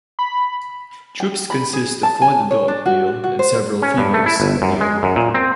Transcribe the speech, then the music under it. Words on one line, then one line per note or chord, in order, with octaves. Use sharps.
Troops consist of one adult male and several females and young.
B5
G5
B5
G#4
A5
G#5
C#5
D4
F#4
F#4
C5
C#4
G2
A3
E4
G1
F#2
G#3
F#2
A#2
C4